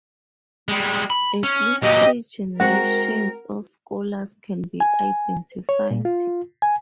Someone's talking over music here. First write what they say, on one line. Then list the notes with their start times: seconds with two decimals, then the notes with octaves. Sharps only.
At least three generations of scholars can be identified.
0.69 G3 G#3
1.10 B5
1.43 C#4
1.82 A#2 F#3 G4 D#5
2.60 G#3 C4 F#4 A#4 F#5 A#6
4.80 G#5
5.69 C#5
5.91 A#2
6.05 F4
6.62 G#5